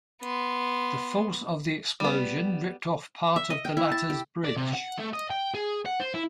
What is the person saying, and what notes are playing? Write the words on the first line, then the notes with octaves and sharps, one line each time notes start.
The force of the explosion ripped off part of the latter's bridge.
B3 C6
G3 B3
E5
D#5
G5
E4
A5
G4
D5
C3
F#5
A3
D#5
G5
G#4
F#5
C5
E4